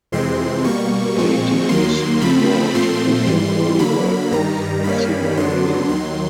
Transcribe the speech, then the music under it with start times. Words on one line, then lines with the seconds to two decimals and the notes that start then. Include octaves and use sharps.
The painting is thought to be an early work of Signorelli.
0.12 F2 C3 E3 G#3 C4 C6
0.64 B2 G3 A#3 C#6
1.17 A#2 F3 G#3 C4
1.69 D#2 D#3 F#3 A#3 C6
2.21 C#3 F3 A3 C4 B5
2.75 A#2 F3 A3 C4 C6
3.26 G#2 E3 G3
3.79 D3 F#3 A#3 B5
4.31 G2 D#3 G3 A#5
4.84 G2 D#3 G3 A#3 C#4 B5
5.37 F#2 D3 F#3 B3 D4 C6
5.89 D#2 D#3 F#3 C6